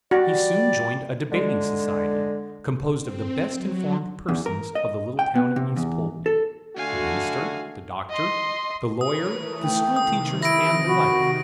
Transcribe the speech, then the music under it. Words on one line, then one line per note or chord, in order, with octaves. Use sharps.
He soon joined a debating society, composed of the best-informed persons of the little town of East Poultney,--the minister, the doctor, the lawyer, the schoolteachers, and the like.
G3 F#4 D5
D3 G#3
C4
F#3
E2
A#4
D#5
G5
B3
C3
E2
A4
D3 A3 F#4 F5 G#5
D#5 C6
A#4 B4 C#5 D#6
E3 A3
G5
C3 D#3 D#6
E4 A#6 D7
F#4 B5